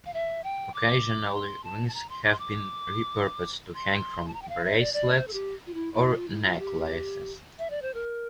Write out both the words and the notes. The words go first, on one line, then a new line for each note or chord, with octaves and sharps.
Occasionally rings have been re-purposed to hang from bracelets or necklaces.
F5
E5
G5
D6
C6
A5
A5
A#5
C6
D6
C6
D6
C6
A5
A#5
G5
F5
E5
C5
D5
D5
C5
A4
G4
F4
E4
E4
F4
E4
F4
G4
E5
D5
C5
A#4